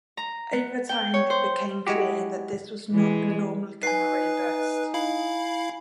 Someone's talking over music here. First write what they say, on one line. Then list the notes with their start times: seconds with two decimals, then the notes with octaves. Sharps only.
Over time it became clear that this was not a normal gamma-ray burst.
0.17 A#5
0.53 B3
0.89 G5
1.14 C#5
1.30 C5
1.87 G#3 E4 F#4 G4
2.91 E3 G#3
3.83 D#4 B4 G#5 C7
4.94 E4 F5 B5